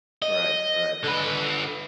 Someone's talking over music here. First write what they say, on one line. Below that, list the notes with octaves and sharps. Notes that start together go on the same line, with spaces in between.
Right, right.
D#5
D3 B4